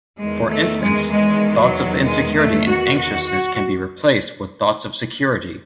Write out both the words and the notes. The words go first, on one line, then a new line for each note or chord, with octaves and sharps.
For instance, thoughts of insecurity and anxiousness can be replaced with thoughts of security.
E2 D#3 G#3
A3
G#3
G#3
F#3
G#3
A3
F#4
F#4
F#4